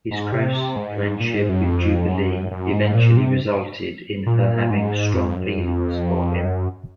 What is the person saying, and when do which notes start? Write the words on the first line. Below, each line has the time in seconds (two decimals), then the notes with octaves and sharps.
His close friendship with Jubilee eventually resulted in her having strong feelings for him.
0.11 G#2
0.32 C3
0.76 G#2
1.20 A#2
1.35 G#2
1.49 F#2
1.64 F2
2.08 F#2
2.51 F#2
2.73 G#2
2.95 A#2
3.17 C3
4.26 A#2
4.70 G#2
5.14 F2
5.36 F#2
5.57 F2
6.45 F#2